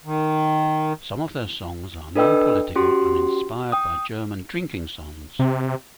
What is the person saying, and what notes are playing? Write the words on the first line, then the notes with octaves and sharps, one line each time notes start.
Some of their songs are non-political and inspired by German drinking songs.
D#3
D4 A4 B4 D#5 G5 E6
C#4 F#4 G4 C6
G5 D#6
C3